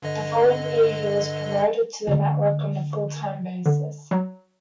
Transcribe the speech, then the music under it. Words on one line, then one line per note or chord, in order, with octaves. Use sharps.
The following year, he was promoted to the network on a full-time basis.
G2 D3 D#5
D3 A3
D3
F#3